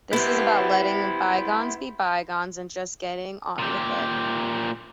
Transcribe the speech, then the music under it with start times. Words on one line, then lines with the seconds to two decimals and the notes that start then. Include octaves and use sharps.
This is about letting bygones be bygones and just getting on with it.
0.13 B3 E4 G4 C5
3.59 A#2 G4